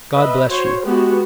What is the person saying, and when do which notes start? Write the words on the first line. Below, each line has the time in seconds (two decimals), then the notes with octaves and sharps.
God bless you!
0.12 B4 D#5 E5
0.50 F#4 C5 C#5
0.84 G#3 B3 F#4 G4